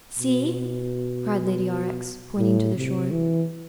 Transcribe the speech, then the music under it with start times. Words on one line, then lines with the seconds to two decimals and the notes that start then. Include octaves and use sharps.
"See!" cried Lady Aurex, pointing to the shore.
0.18 B2
2.38 A2
2.75 C3
3.11 E3